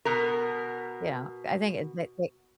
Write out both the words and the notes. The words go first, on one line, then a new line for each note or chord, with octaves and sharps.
you know. I think it it it
B2 A#4